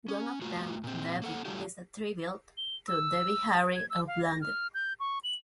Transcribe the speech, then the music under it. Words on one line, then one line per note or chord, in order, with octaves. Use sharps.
One of them, "Debbie", is a tribute to Debbie Harry of Blondie.
C#4
A3 F4 F#4
A#2 C4
A#3 A4 F#5
F#3 G3 A3 D4 F4 G4
G7
E6
G#6
E6
F5
A#6
F6
G6
C#6
F#7